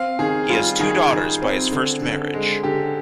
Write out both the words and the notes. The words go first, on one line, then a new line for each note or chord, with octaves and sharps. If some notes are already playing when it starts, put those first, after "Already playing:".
He has two daughters by his first marriage.
Already playing: C4 F5
D#3 G#4
G3 F4
D#3 G#4
D#3
C4
D3
D3
G#3
D3 G4